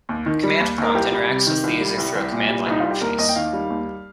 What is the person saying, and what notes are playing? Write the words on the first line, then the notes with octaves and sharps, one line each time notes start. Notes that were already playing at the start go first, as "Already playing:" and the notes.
Command Prompt interacts with the user through a command-line interface.
D#2
D#3
G3
D#2
D#2
A#4
C2 G4
G3
C3
D#3
C2
G3
C2
C2
A#2
G3
C2 D#4
C2 F4
G4
D#2 A#4
D#2 D#5
G5
D#3 F5
G3
D#2